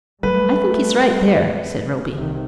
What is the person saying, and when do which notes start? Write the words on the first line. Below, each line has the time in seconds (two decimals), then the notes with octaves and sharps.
"I think he's right there," said Roby.
0.23 F#3 G3 A3 B4
2.16 C2 C3 D#3